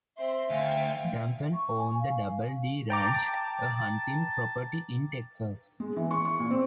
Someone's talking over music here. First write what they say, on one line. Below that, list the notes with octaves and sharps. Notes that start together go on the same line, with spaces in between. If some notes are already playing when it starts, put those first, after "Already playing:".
Duncan owned the Double D Ranch, a hunting property in Texas.
C4 E5 C6
D2 F5 G5 G#5
C#6
G#5
F5
G5 A5 A#5 D6
G#3
E3
C#6
C#6
A#2
C4